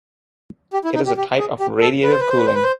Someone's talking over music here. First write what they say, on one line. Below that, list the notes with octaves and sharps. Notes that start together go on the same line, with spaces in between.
It is a type of radiative cooling.
G4
E4
D#4
G4
G4
G#4
G4
A4
B4
C5
B4
C5
B4
C5
B4
C5